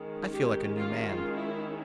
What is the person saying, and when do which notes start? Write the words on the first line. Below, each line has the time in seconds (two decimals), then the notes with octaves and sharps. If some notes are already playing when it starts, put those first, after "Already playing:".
"I feel like a new man."
Already playing: D#3 G#3 C#4
0.30 G4
0.76 F4
1.06 F4
1.37 E4